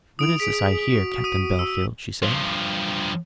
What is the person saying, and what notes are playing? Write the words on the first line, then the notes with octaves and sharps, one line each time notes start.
"What is this I hear, Captain Bellfield?" she said.
E4 D#6 D7 F7
G#4 B6 D7
F#4 D7
D#6 D#7
E6
G2 F3